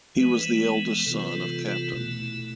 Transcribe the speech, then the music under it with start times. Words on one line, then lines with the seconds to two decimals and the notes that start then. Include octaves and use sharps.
He was the eldest son of Capt.
0.20 E3 G#3 B3 B4
1.06 C3 E3 B3 F4 A4
1.20 B4
1.32 A4
1.94 B2 A3 E4